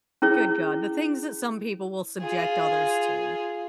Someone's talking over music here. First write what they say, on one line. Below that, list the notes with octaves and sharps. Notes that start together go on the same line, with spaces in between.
good god, the things that some people will subject others to.
C#4 E4 G#4 C#5
F4 G#4